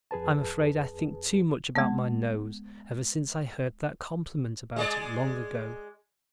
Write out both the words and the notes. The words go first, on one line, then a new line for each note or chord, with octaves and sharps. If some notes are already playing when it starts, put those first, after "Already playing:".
I'm afraid I think too much about my nose ever since I heard that compliment about it long ago.
F2 G#4 B4 A5
G#3 B3
G#3 G#4 D5